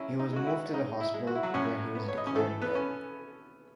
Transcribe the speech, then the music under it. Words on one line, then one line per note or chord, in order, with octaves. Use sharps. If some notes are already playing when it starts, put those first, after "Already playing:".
He was moved to the hospital, where he was declared dead.
Already playing: F#3 C#4 E4
D#4
G#3 F#4
E4
G#3 D#4
E4
G#3
F#4
E4
F#3 F#4
A2 C#4 C#5
B3
C#5
D#5
C#4 C#5
E3 A3 A4
B3 B4
C#4